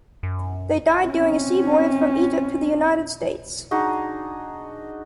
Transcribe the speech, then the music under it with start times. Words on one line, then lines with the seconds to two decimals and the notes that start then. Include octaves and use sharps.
They died during a sea voyage from Egypt to the United States.
0.23 F#2
1.03 C4 C#4
3.71 D4 D#4 F#4 G#4